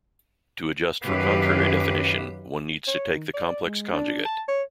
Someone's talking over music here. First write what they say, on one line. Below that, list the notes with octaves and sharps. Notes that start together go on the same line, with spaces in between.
To adjust for contrary definition, one needs to take the complex conjugate.
F#2 D#3 G4 B4 F5
C#5
D#3
D5
G#3
D4
A5
C#5